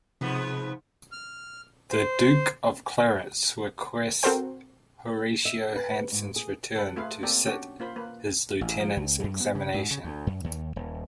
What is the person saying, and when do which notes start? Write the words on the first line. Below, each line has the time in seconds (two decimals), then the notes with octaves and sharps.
The Duke of Clarence requests Horatio Hanson's return to sit his lieutenant's examination.
0.21 G#2 C3 F3 B3
1.12 F6
1.91 C5
4.23 C4 F#4 A4 A#4 C5 G5
5.45 E5
5.76 B4
6.12 G#2
6.36 G#4
6.75 A4 B4
6.96 A3 F4 G#4 B4 E5 F5
7.23 A#3 C4 G4 A4 D5 G5
7.46 C#4 D4 F#4 G4 A5
7.80 A#3 F4 C5 B5
7.96 A#3 B4
8.61 A1
8.79 F3
8.97 C#2
9.24 F#2
9.40 B3
9.55 C#3
9.74 G#2
9.91 C#3
10.04 D2
10.27 F#2
10.44 D#2
10.76 D#1